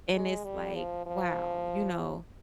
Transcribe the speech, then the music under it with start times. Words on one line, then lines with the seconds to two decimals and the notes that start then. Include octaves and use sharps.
and it's like, "Wow," you know,
0.13 G#3
0.44 G3
0.75 F3
1.06 F3